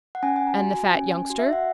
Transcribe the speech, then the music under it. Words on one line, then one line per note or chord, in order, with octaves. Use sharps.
"And the fat youngster?"
F#5
C#4 G#5
G#5
A#5
F#4
G#5
C#4
F#4
E5
F#5